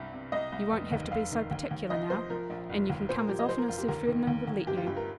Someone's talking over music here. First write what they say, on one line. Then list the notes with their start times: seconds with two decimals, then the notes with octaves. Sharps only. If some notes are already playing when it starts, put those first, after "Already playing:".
'You won't have to be so particular now, and you can come as often as Sir Ferdinand will let you.
Already playing: C2 G2
0.13 C3
0.32 C2 D#5
0.52 C2
0.72 F1
0.92 D#2
1.11 F1 F5
1.31 D#3
1.51 D#2
1.71 D#2
1.90 C2 D#5
2.10 F3 C5
2.30 F3 A#4
2.50 A#1
2.70 F1
2.90 D#2
3.09 A#2 C5
3.19 A#4
3.29 F3 G4
3.39 D#5
3.49 F3 C5
3.58 A#4
3.68 F1 F4
3.78 G4
3.88 D#2 A#4
4.07 D#3
4.27 D#2
4.47 D#2
4.67 G1 G4
4.77 F4
4.87 G2 G4
4.96 A#4